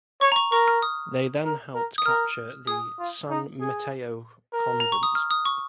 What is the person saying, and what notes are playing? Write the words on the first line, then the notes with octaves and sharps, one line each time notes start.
They then helped capture the San Mateo Convent.
C#5 C#6
A#5
C#6
A#4 C#6
F6
D#6
A#4
A#4
D#6
A#4 F6
G#4 D#6
F4
D#4
G#4
A#4
A#5
C#6
D#6
F6
D#6
C#6